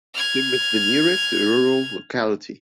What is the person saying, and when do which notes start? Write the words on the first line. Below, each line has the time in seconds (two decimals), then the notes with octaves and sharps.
Kim is the nearest rural locality.
0.15 F6 G#6